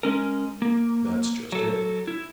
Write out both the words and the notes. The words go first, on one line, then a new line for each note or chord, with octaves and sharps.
"That's just it."
G#3 C#4 A#4
A#3
F#3 A4
E4